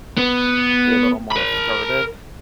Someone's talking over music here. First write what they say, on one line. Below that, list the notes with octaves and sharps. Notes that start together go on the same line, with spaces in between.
Be a little more assertive
B3
A#4 B5